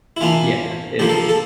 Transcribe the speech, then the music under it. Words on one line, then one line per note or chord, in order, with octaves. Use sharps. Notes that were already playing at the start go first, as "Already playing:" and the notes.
Yeah, it's
E4
E3 A#3 D4 F4
D3 F3 A#3 G4
A4
A4